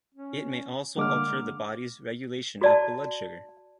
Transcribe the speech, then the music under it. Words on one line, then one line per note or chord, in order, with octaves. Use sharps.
It may also alter the body's regulation of blood sugar.
C#4
D3 G#3 A#3 D4 F#5 D6 F6
F#4 D5 A5